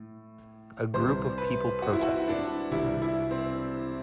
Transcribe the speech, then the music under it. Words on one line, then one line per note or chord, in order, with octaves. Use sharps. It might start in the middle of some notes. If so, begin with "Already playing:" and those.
A group of people protesting.
Already playing: A2
C2 C3 G3 C5
B4
F#4
E4
F#4
D4
C2 C3 G3 E4
E4
C4